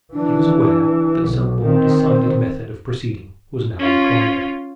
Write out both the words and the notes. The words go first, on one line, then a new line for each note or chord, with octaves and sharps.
He was aware that some more decided method of proceeding was now required.
E3 D4
B1
D#3 C4
C#4 F4